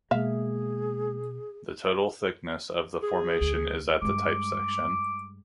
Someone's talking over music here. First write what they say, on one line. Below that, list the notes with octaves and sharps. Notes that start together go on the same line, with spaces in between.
The total thickness of the formation is at the type section.
B2 G#3 A#3 G#4 E5 F5
G#4
D2
G2 G#3 D6